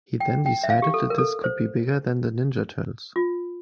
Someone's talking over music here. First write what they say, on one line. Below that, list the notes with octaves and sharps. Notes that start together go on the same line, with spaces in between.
He then decided that This could be bigger than the Ninja Turtles.
G5
G5
E5
F5
G4
A4
A#4
A4
C5
F4